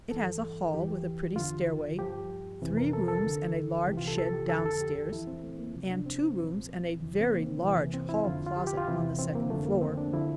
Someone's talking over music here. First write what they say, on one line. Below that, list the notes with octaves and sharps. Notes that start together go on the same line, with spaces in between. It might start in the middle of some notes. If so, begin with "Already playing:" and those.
It has a hall with a pretty stairway, three rooms and a large shed downstairs, and two rooms and a very large hall closet on the second floor.
G2 E3 A4
E2 E3 G4
E2 D3 F3 F4
G2 F3 G4
F2 C3 E3
A#4
A4
A4
D2 D3 F3
C2 C3 E3 G4
F4
A4
A4
G4
F2 D3 F3 A4
A4
G4
E2 E3 E4
C4
A3
A#3
D2 C3 F3
D4
C4
C2 A#2 F3
E2 C3 E3
C4
A#3
E2 C3 E3
C4
E4
F2 D3 F3 F4
F4
G4
G4
F4
E2 C3 E3 E4
C4
A#3
F2 D3 F3 A3
A#3
C4
D4
D3 F3 E4